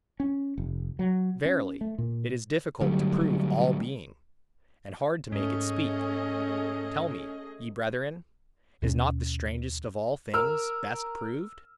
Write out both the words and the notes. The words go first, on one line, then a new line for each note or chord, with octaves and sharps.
Verily, it is difficult to prove all being, and hard to make it speak. Tell me, ye brethren, is not the strangest of all things best proved?
C#4
F1
F#3
C#4
A3
A#2
D3 F#3 G3 A3
G#2 A3 C#4 G#4 D#5
D#2 B2 C#4
A#4 E6 F6